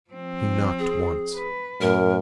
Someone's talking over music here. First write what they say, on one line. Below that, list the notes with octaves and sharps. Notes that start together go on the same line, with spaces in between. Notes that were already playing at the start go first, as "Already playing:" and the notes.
He knocked once.
F3 C4
G#4
B4
F#2 A2 A#4